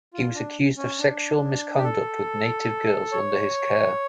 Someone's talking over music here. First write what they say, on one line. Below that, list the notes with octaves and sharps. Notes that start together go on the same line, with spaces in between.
He was accused of sexual misconduct with native girls under his care.
F4
D4
C#4
D4
G4
A4
C#5